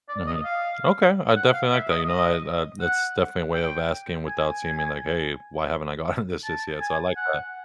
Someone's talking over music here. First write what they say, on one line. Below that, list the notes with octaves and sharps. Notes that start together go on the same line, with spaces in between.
Mhm. Okay, I definitely like that. You know, I that uh, that's definitely a way of asking without seeming, like, "Hey, why haven't I gotten this just yet?" So, I like that.
D5
D#5
F5
F#5
F5
E5
D#5
D#5
F#5
G5
G#5
A5
G#5
F#5